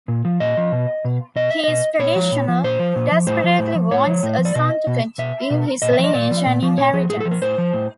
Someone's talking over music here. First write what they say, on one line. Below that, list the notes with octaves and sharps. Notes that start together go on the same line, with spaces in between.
He is traditional, desperately wants a son to continue his lineage and inheritance.
A#2
F3
A#2 D#5
F3
B2
B2
B2 D#5
E5
B2 D#5
A#2 C#5
F3
A#2
F3
A#2 C5
F3
A#2
F3
A2 C5
F3
A2
F3
A2 C#5
F3
A2
F3
D5
B2 D#5
B2
B2 E5
B2
A#2 D#5
E5
F3 D#5
A#2 D5
F3
A#2
F3
A#2 C#5
F3 G#4
A2 G#4
A4
F3
A#4
A2 C5
F3
A2